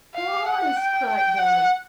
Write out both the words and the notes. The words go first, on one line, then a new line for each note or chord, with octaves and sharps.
"Boys!" cried they.
F5
F#5
G5
G5
F#5